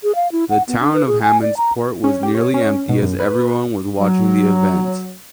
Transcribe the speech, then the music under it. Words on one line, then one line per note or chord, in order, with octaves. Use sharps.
The town of Hammondsport was nearly empty as everyone was watching the event.
G#4
F5
E4
F#5
B3
D4
B4
G#4
G#5
D5
A#5
C#4
G4
C#5
C#4
B2
F#2
B4
F#3